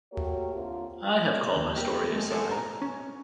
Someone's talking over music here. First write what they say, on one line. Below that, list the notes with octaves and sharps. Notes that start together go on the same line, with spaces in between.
I have called my story a saga.
A3 A#3 F#4 G4 A#4 C#5
D3 A#3 C4 F4
D#2
A#3 G4
G#3 A3
A4 A#4 C5 D5 F#5 G#5
A#5
C#4